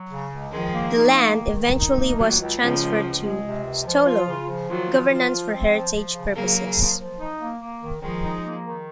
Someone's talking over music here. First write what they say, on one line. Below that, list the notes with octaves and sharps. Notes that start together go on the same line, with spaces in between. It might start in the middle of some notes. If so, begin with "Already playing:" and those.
The land eventually was transferred to Sto:lo governance for heritage purposes.
Already playing: F#3
C#3
C#2
D#3 F3 G#3
A#3
D#4
A#3
D#3
D#3
D#4
A#3
C#2 D#3 F#3
C#2
C#2 C#3 F3
C#2
C#2
G#3
C3
C#2
F3
F4
C#3
F3
D#3 F#3 F4
F3
F4
F3
C4
F3
F3
C#3
C#3 F#3 A#3
C#3
F3
F3
D#4
A#3
A#3
D#3
D#3 F3 G#3
D#4
A#3
D#3